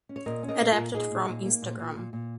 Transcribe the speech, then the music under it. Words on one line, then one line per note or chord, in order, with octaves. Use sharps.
Adapted from Instagram.
C#4
C#5
A#2 A#4 D#5
C#4
A#4 D#5
A#2
F4 A#4
A#2
A#2 D#4 G#4
A#2
A#2
A#3
A#2
A#2
A#2
A#2